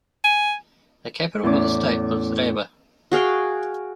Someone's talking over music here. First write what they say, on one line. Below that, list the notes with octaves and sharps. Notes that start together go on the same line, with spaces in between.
The capital of the state was Rewa.
G#5
E2 A2 C#4 D6
F#4 G#4 F5 G5